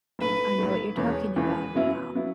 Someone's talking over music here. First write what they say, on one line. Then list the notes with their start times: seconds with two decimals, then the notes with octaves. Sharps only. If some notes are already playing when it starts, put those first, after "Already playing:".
I know what you're talking about now.
0.19 B1 A2 A3 B4
0.58 B1 A2 A3
0.97 E1 E2 E3 C#5
1.36 E1 E2 E3 B4
1.75 F#2 F#3 B3 E4
2.15 F#3 B3 E4